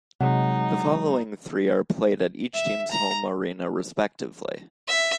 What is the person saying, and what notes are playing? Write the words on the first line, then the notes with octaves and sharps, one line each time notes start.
The following three are played at each team's home arena respectively.
C3 F#3 G#3 D#4 F#5
E5
A#5
E5